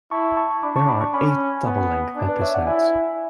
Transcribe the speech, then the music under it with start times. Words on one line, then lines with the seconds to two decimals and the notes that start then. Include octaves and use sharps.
There are eight double-length episodes.
0.11 E4 A5 C#6
0.37 A5 C#6
0.63 D4 B5 D6
0.76 A5 C#6
0.89 B5 D6
1.01 A5 C#6
1.14 C#4 G#5 B5
1.65 B3
2.16 D4
2.29 B4 D5
2.41 C#5 E5
2.54 D5 F#5
2.67 E4 E5 G#5